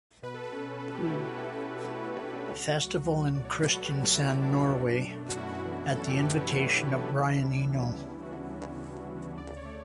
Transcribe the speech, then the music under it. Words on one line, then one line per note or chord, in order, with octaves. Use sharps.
Festival in Kristiansand, Norway, at the invitation of Brian Eno.
B2 B4
A4
B4
C#4
B2 A4
G4
E4
A3 F#4
G4
B2 A4
C#4
B2 C#5
E4
A3 D4
D4
G4
C#2 F#4
F#3
A3
B2 D5
C#5
B4
C#2 A4
F#4
G4
F#3
G4
E4
A3 F#4
D4
B2
D4
F#2
A3
F#4
C#4 E4
E3 F#4
F#2 A4
G4
A3 B4
C#5
G4
C#4 A4
G4
E3
D4
D2 E4
D4
G3
E4
B3 D4
E4
C#3
D2 F#4
G3
B3
C#3
D2 D5
C#5
A3